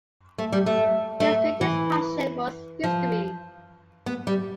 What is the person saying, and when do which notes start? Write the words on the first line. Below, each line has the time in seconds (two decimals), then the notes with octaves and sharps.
His greatest passion was history.
0.38 A3
0.52 G3
0.66 A3
1.20 A3
1.61 E3
2.84 F3
4.06 B3
4.27 G3